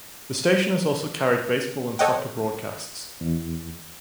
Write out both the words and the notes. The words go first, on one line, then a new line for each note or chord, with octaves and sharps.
The station has also carried baseball and soccer broadcasts.
A4 C#5 D#5 F#5 G5
E2